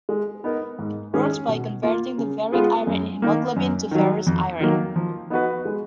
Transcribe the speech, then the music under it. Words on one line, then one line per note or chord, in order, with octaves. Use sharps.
It works by converting the ferric iron in hemoglobin to ferrous iron.
G#3
B3 D#4 A#4
G#2
D#3 G#3 C#4 G#4
B2
A#3 F4
C#3
G#3 B3 F4 G#4
F#2
D#3 A#3
F#2
D#3 F#3
F2
D#3 F#3 A#3
F3
B3 D#4 F#4 B4
G#3